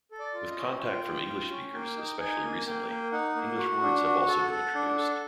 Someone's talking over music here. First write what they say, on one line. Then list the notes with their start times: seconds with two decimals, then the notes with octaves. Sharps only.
With contact from English speakers, especially recently, English words have also been introduced.
0.11 A4
0.19 D5
0.34 F4
0.50 D#5
0.57 C#4
0.80 F4 G5
1.04 F4
1.27 F4
1.51 C#4
1.73 A#3 G5
1.97 D#4
2.19 D#4 G#5
2.43 A#3
2.66 A#3 G5
2.90 A#3
3.12 D#4 F#5
3.36 A#3
3.59 F#4
3.82 D4
4.06 F#4
4.28 A4
4.51 A4
4.75 D4
4.99 A4